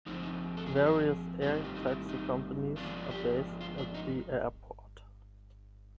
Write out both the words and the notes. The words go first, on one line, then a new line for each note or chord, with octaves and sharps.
Various air taxi companies are based at the airport.
F3 G#3 C4 D#4
D#4
A4
G#4
G4
G#4
D#3 G3 C4 G4
F4
D#4
E4
D#4
F3 G#3 B3 D4 F4
G4
F4
D4
D#4